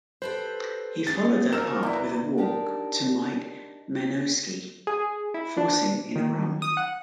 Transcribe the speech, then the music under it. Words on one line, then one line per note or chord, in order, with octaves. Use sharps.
He followed that up with a walk to Mike Menosky, forcing in a run.
G4 A4 B4 C5
C#4 G#4 A6
F3 D#4 A#4 E6 E7
E2 B2 E4 B4 D5 A5 A#5
D4 D#4 G4 A#4 D5
G#4
E4
D4
D#3
D#6
F#5